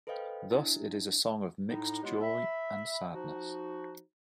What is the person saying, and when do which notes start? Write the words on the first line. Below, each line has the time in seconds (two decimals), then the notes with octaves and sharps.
Thus it is a song of mixed joy and sadness.
0.07 A4 B4 C5 D#5 F5 G5
0.51 D4 E4
1.69 A2 D#4
2.03 F#3 G#3 B3 E4 F4 G4
2.21 E5 B5
3.14 F3 D#4 F#4